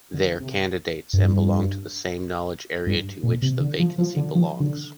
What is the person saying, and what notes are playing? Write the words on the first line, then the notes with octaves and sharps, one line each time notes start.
They’re candidates and belong to the same knowledge area to which the vacancy belongs.
D3
C3
G2
G2
A#2
C3
D3
F3
F3
D3
F3
D3